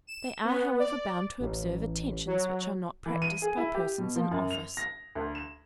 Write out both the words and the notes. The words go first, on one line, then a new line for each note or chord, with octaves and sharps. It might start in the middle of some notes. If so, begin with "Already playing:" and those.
They are however bound to observe attentions which are not practised by persons in office.
E7
B3
D5
A1
F#3
E3
D#7
G#4
E4
G4
B2
F3
F#2
F7
A#6
D2
E7